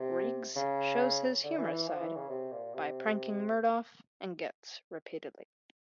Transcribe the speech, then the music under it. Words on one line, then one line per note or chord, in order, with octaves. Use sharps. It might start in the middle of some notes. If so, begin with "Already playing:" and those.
Riggs shows his humorous side by pranking Murtaugh and Getz repeatedly.
Already playing: C3
C#3
D3
E3
E3
F3
E3
C#3
C3
A#2
C3